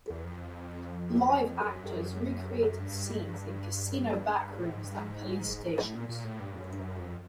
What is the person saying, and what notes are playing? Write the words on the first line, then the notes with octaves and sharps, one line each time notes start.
Live actors recreated scenes in casino backrooms and police stations.
E2
F2
F#2
G2
F#2
G2
A2
G#2
G2
G#2
A2
A#2
A#2
A2
G2
F2
F#2
G2
F#2
F2